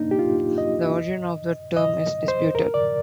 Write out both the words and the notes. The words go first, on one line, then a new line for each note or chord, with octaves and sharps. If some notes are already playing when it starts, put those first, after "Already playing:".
The origin of the term is disputed.
Already playing: A#3 D4 D#4
G4
F4
D#5
D#5
C5
A#4
D5